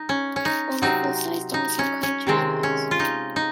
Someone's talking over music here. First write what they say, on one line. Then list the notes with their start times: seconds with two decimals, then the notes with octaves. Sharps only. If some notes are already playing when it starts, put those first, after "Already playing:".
Only full-sized dolls have color-changing eyes.
Already playing: D#4
0.09 C#4
0.36 C#4
0.45 D#4
0.82 C3 F#3 C4 D#4
1.54 D#4
1.79 C#4
2.03 C#4
2.27 C3 D#3 G#3 C4
2.63 C#4
2.91 F4
3.00 D#4
3.36 D#4